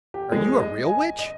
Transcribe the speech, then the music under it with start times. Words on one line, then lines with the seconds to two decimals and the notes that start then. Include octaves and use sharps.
"Are you a real witch?"
0.14 G4
0.32 G#3
0.60 D#5
0.86 G#5
1.19 D#5